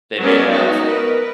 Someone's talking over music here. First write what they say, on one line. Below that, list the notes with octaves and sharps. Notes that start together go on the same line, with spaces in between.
they may have,
F#3 G#3 B3 C#4 A#4 D5
B3 D#4 F#4
A#4 B4